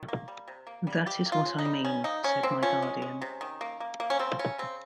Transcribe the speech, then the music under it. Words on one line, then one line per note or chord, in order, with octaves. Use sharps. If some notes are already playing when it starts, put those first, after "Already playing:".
"That is what I mean," said my guardian.
Already playing: D#3
A#3
G3
C3
A#3
G3
G3 G4
A#3
F4
C#3
D#4
G3
D#3 C#4
A#3 D#4
A#3 C#4
A#3 C4
F3 C#4
G#3
G#3
C3
D#3
A#3
A#3
A#3
C#4
C#3 C4
C#3 C#4
C#3 C4